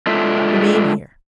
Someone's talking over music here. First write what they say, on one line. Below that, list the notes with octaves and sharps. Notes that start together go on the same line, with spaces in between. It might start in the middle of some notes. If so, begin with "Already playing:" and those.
Remain here.
G#3 D4 F4 A4 E5